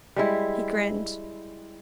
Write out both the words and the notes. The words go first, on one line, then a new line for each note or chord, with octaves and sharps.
He grinned.
G3 G#3 E4